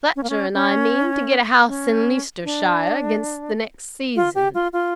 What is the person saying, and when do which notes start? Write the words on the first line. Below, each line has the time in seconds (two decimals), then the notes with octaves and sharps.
Fletcher and I mean to get a house in Leicestershire, against the next season.
0.16 C#4
0.23 A#3
0.30 C#4
0.54 C#4
1.68 C#4
2.44 D4
4.16 F4
4.35 G4
4.54 F4
4.73 F4